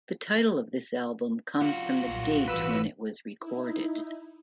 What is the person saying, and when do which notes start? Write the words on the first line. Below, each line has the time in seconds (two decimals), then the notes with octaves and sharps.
The title of this album comes from the date when it was recorded.
1.61 G3 F4 F#4
2.07 B1 A#2
2.48 G#1 E3 B4 E6
3.40 D#4 E4